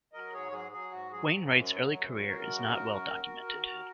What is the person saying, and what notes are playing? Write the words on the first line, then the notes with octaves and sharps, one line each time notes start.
Wainwright's early career is not well documented.
F#3 A#4 D#5
G#2 G#4 C#5
F#3 G#4
F#3 G#4
G#2 F#4
F#3 G#4
G#2
F#2
F#3
F#2
F#3
F#2 F#4 A#4
C#3
F#2
F#2
D#2
D#2
D#2
D#2